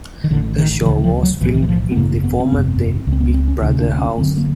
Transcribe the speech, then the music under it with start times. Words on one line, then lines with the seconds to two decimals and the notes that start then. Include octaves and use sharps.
The show was filmed in the former then "Big Brother" House.
0.24 D#3
0.30 A1 D3
0.35 A2
0.58 D#3
0.82 D#3
0.85 D2 C#3 E3
1.04 F3
1.23 F#3
1.41 B1 A2 E3
1.54 D#3
1.62 E3
1.69 F3
1.92 B3
1.96 G#1 F#2 C#3 A#3
2.24 B3
2.40 C4
2.52 G1 F2 C3 B3
3.07 C#2 C#3
3.13 C4
3.21 B3
3.34 C4
3.48 C#4
3.62 D2 D4
3.66 C3
3.74 C#4
3.80 D4
3.99 C#4
4.18 F#1 F#2 D3 C4
4.38 A#3